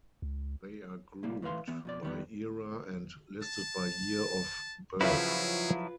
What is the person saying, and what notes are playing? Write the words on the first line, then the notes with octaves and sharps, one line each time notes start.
They are grouped by era and listed by year of birth.
C#2
C2 G3 A#3
A2 E3 B4 F5 C6
E3 B3
F2 B2 D5
D#3 G3 B3
A5
C#3 F3 F#3 E4 F4 G#4 B4 E5